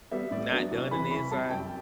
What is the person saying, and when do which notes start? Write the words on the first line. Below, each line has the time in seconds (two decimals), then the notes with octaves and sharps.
not done in the inside
0.11 G3 B3 E5
0.31 A2 D5
0.51 F#3 B3 D4
0.71 C2
0.91 C3 E3 B5
1.11 C2 B5
1.31 C3 G3 A5
1.50 F#2 G5